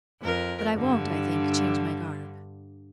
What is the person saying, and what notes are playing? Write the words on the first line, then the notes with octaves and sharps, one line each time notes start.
But I won't, I think, change my garb.
F2 A#4
G2 D3